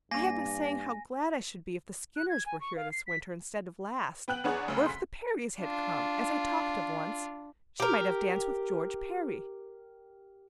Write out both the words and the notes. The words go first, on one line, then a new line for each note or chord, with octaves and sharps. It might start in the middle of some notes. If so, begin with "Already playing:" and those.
I have been saying how glad I should be if the Skinners were here this winter instead of last; or if the Parrys had come, as they talked of once, she might have danced with George Parry.
G2 A#3 G#5 A#6
F#6
G#6
G#5
C#6
F5
C7
B6
B3 G5 F#6 F#7
E2 B3 D4 G#4 C#5 F#5
D2 C#3
C6 B6
D4 F4
G4 A#4